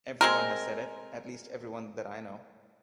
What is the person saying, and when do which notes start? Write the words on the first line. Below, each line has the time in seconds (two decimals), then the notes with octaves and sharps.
Every one has said it; at least every one that I know.
0.21 G#3 C4 A#4